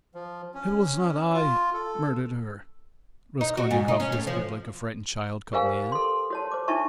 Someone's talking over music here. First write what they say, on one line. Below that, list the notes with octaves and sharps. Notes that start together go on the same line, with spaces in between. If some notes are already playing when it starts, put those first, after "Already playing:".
"It was not I murdered her," Raskolnikov whispered like a frightened child caught in the act.
F3
C#4
F4
A4
D#4
F#4
G#2
D#4
C#4
A2
F3
G4 A#4 C5 F5 G#5
C5
A4 C6
F#4 C#5 A5
C5 D6
D4 D#4 F4 E5 A5 C#6